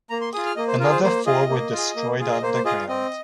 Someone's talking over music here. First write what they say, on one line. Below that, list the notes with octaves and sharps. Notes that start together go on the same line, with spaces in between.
Another four were destroyed on the ground.
A#3 A#5
C6
F4 G#4 D#6
F6
A#3 D#5
C5
F4 G#4 A#4
C5
A#3 C5
F4 G#4 D#5
A#3
F4 G#4
A#3
F4 G#4
D#5
A#3 C5
C5
F4 G#4 D#5
F5
C4 D#5